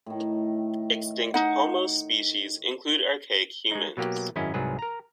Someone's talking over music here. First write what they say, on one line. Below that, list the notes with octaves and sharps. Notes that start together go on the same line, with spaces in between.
Extinct "Homo" species include archaic humans.
A2 D#3
D#4 F#5
G#3 D#4
B2 F#3 A#3 G4
G#1 F#2 C#4 E4 D#5
C2 G#2 F#3 G#4 B4
A#4 A#5